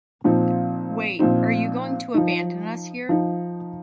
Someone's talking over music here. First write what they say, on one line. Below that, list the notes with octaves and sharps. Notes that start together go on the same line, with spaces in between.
Wait, are you going to abandon us here?
A#2 F3 C4 D#4
A#2 F3 C4 D#4
F3 D#4
F3 D#4